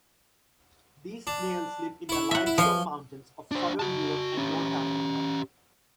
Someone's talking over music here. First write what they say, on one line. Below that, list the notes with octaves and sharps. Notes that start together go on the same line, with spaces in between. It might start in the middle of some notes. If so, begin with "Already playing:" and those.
These snails live in the limestone mountains of southern Europe and North Africa.
D4
E4 C#5
E5 F#5
E4
F3 C#5 G5 G#5
D4 C5
F#4 A5
C#4 G4